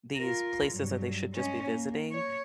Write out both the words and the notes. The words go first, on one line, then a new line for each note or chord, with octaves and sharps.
these places that they should just be visiting.
F4 A#4
G2 F#3
G#3 C#4
A#3
C#5